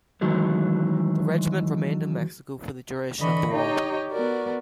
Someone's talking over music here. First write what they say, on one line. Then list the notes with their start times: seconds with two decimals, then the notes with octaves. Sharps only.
The regiment remained in Mexico for the duration of the war.
0.21 D#3 E3 F#3 G#3 A3
3.19 D3 E3 D#5 B5 C#6
3.51 D#4 G4 C#5 D#5 G5
4.11 B3 F#4 A#4 D5